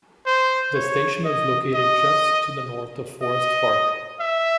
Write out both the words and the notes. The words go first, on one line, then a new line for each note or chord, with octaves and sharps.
This station is located just to the north of Forest Park.
C5
C#5
D#5
D#5
D#5
E5